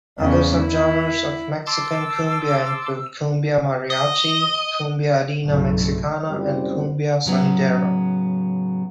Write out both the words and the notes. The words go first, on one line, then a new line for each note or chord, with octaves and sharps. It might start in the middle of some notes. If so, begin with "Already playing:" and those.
Other subgenres of Mexican cumbia include Cumbia Mariachi, Cumbia Andina Mexicana, and Cumbia Sonidera.
E2 C#3
E4
A5 C6 D6 E6
D#5
F#1 B1 G2 A3
F#1 A#2 G3 C4
A2 C#3 F#3 B3